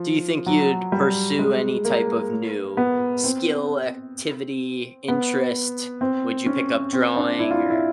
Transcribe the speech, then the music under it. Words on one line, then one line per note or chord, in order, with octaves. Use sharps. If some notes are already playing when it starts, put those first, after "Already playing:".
Do you think you'd pursue any type of new skill, activity, interest? Would you pick up drawing, or
Already playing: F3
F#3
G3
G#3
A#3
B3
C4
B3
C4
C#4
C4
D4
E4
F4
E4
E4